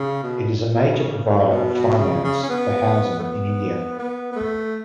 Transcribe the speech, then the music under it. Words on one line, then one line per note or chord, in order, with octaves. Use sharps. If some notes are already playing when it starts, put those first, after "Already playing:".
It is a major provider of finance for housing in India.
Already playing: C#3
B2
B2
B2
C#3
A2
B2
B2
C#3
C#3
C#4
B3
A3
B3
B3
B3
A3